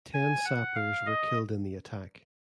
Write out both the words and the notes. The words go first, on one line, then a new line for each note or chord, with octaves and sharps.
Ten Sappers were killed in the attack.
G#5
F#5
F5
D#5